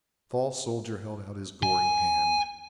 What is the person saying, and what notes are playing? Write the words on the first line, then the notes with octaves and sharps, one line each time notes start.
The tall soldier held out his gory hand.
G#5